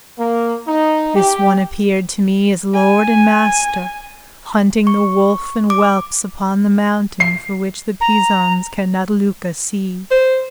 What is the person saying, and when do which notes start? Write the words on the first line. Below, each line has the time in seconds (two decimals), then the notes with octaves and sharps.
This one appeared to me as lord and master, Hunting the wolf and whelps upon the mountain For which the Pisans cannot Lucca see.
0.19 A#3
0.67 D#4
1.16 G4
2.74 G#5
4.87 C#6
5.70 D6
7.20 C7
8.01 A#5
10.11 C5